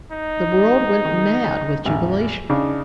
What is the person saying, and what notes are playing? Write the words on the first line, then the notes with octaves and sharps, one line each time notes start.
The world went mad with jubilation.
D#4
D#3
A1 E2
C#3 D4 D#4